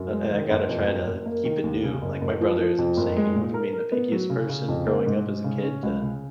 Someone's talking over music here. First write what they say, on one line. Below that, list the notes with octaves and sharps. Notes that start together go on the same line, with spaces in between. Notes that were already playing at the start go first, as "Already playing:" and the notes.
Uh, I I gotta try to keep it new. Like, my brother is insane, he went from being the pickiest person growing up as a kid, to
Already playing: F#2
G#3
D#3
F#1
F2
F#1
F#1
A#3
D#3
D#2
C#3
F#1
F#1
F3
F3
F2
F#1
G#3
A#2
A#4
A#4
B3
F#3
C#3
C#3
F2
A#3
G#2
G#2
C#3
C#4
C#2
C#3